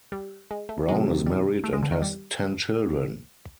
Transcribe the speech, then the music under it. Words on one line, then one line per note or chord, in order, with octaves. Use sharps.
Brown is married and has ten children.
G3
G#3
A3
C3 D#3 F#3 G#3
G3
A3
G#3
D3
D#3
G3